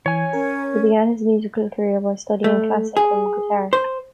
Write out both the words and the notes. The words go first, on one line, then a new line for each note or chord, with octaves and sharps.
He began his musical career by studying classical guitar.
E3 C#5 G#5
C#4 A#4
A3
G#4
C5